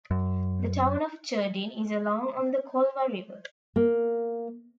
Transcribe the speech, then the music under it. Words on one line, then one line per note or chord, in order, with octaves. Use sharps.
The town of Cherdyn is along on the Kolva River.
F#2
A#3